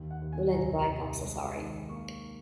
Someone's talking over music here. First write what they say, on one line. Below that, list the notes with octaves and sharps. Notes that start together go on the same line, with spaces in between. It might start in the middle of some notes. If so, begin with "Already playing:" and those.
Bullet Bike accessory.
Already playing: D#2
F#5
D#2
G#5
C2 A#5
C2
G#3
D#3
A#3 C#6